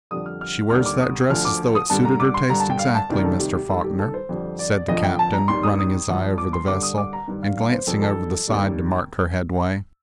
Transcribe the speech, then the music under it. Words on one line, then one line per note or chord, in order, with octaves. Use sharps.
"She wears that dress as though it suited her taste exactly, Mr. Faulkner," said the captain, running his eye over the vessel, and glancing over the side to mark her headway.
F2 D3 G3 D#6
F6
F6
D#2 D3 G3 F6
D6
D#6
D2 D3 F3 F6
D6
D#6
G2 D3 G3 A5
A#5
D6
C6
G2 D3 G3 A#5
A5
G5
F5
A5
D2 C3 D#3 G3 D5
A#4
A4
G4
G4
G2 D#3 G3 A4
G4
A4
C5
F2 D3 G3
D5
D5
F2 D3 F3 D#5
G5
A5
A#5
D#2 D#3 G3 C6
D#6
D#6
G2 F3
D6
C6
G2 D3 G3 D6
D#6
D6
A#5
G2 D#3 G3
F5
F5
C5
F2 D#3 G3 A4
A4
D#2 D#3 G3